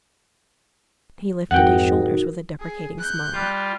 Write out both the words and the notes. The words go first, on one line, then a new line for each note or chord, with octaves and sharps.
He lifted his shoulders with a deprecating smile.
F2 G#2 D#4 F#4 A#4 F#5 G5
G#4
F#6 G6
G3 F4